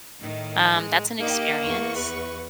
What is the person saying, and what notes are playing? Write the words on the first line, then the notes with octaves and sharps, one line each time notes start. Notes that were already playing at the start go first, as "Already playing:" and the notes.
Um, that's an experience."
A2 D#3
G#3
A#3 D#4 G4
E2 C#6
B4